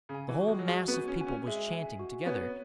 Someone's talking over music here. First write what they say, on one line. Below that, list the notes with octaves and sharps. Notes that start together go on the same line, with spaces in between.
The whole mass of people was chanting together.
C#3
G#5
E3
F#4
G#3
F#3
G#3 F#4
B3
F#4
C#4
G#5
C#4
G#3 E5
G#5
F#4
B3 C#5